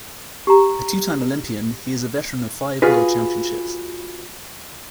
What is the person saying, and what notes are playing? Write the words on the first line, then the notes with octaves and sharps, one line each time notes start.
A two-time Olympian, he is a veteran of five world championships.
G4 A#5
F4 F#4 G#4 B4